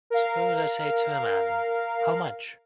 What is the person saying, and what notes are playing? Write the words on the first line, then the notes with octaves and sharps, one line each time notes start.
Suppose I say to a man, "how much?"
A#4 F5